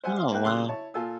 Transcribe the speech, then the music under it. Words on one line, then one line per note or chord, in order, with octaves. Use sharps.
Oh, wow.
C5 E5 F#5 G#5
F5 C6
A#3 E4 G5 F#6
B1 C#3 C6 D6 E6 F#6
E4 C#5 A5
A#2 F4 A4 G#5 E6